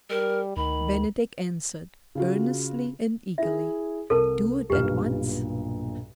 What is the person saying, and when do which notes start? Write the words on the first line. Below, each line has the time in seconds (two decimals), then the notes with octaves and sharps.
Bennydeck answered, earnestly and eagerly: "Do it at once!"
0.10 G3 A#4
0.57 D2 D#3 B5
2.15 C#3 F4 F#4
3.38 E4 G#4 E5
4.10 C2 A4 A#4 A5
4.70 B1 G2 A#2 G4 B4